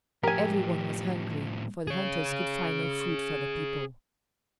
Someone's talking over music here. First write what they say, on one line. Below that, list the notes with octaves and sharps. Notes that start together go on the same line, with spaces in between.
Every one was hungry, for the hunters could find no food for the people.
A2 F3 G4 A#4 G#5
G#4 C#5